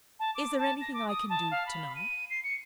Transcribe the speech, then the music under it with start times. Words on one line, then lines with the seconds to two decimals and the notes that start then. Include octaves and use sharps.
"Is there anything I can do to-night?"
0.20 A5
0.35 D6
0.59 A5
0.81 A#6
0.94 D6
1.08 D#6
1.30 A5
1.51 F5
1.66 B5
1.95 D#7
2.30 C7
2.44 C#7